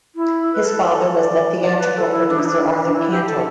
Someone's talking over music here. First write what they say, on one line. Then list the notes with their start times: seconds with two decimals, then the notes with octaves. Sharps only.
His father was the theatrical producer Arthur Cantor.
0.15 E4
0.53 B4
0.65 A4
1.14 D5
1.63 D5
1.79 B4
1.96 A4
2.12 E4
2.29 D4
2.39 E4
2.45 D4
2.78 D4
2.94 E4
3.11 G4
3.27 A4